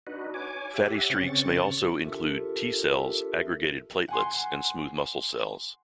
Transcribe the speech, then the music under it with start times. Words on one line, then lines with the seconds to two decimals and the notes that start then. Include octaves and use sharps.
Fatty streaks may also include T cells, aggregated platelets, and smooth muscle cells.
0.07 D4 D#4 F#4 B4
0.34 C#5 G#5 D6
0.74 G4 E5 F#5
1.10 C#3 C4 C#4 C#6 A6
2.03 D4 F4 G4 A4 A#4 E5
4.08 F#5 G#5 C6